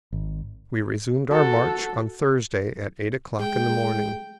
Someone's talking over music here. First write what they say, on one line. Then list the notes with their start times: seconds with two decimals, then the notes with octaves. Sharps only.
We resumed our march on Thursday at eight o'clock in the morning.
0.13 G#1
1.31 F#4 A4
3.39 G#3 G5